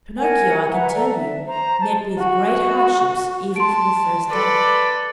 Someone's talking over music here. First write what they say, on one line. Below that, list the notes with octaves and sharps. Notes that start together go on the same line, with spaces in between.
Pinocchio, I can tell you, met with great hardships even from the first day.
A#4 F#5 G#5
B4 E5 F#5 A#5
A4 D5 A#5
E5
C5 A#5
A5
F#4
A5 C6 D7
A4 B4 D5